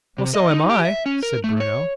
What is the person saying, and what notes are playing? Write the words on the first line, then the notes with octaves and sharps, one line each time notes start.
"Well, so am I!" said Bruno.
C3
D#5
D#4
G4
E5
C#4
A#4
A3
C#5